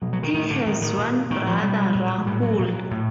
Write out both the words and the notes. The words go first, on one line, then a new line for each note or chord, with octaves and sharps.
He has one brother, Rahul.
B2 F#3
F#3
D#3
A2 D#3
D3
A2 D#3
D#3
A#2
A2 D#3
F3
B2 G3
A#2
G#3
A2 G3
F#3
A#2
A2